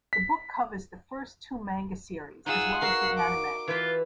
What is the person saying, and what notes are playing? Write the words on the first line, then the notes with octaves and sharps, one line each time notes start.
The book covers the first two manga series as well as the anime.
B6
D#4 F4 G#4 F#5 E6
F#4 A#4 F5 E6 C7
D6
E3 F4 B4